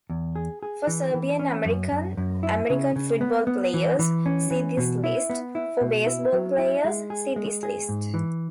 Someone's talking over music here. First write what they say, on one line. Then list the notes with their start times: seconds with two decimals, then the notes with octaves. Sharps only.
For Serbian-American American football players, see this list; for baseball players, see this list.
0.10 E2
0.36 G#4
0.63 G#4
0.87 E3
1.14 E3
1.39 C#4
1.65 F#2
1.92 F#2
2.17 F#2
2.43 E4
2.70 C#3
2.96 C#3
3.21 B3
3.47 B3
3.74 E3
3.99 E3
4.26 C#4
4.51 E3
4.77 B2
5.04 E4
5.30 B3
5.55 E4
5.81 B2
6.06 E4
6.33 F#3
6.58 E4
6.85 G#3
7.10 G#4
7.36 G#3
7.63 G#4
7.89 G#2
8.14 E3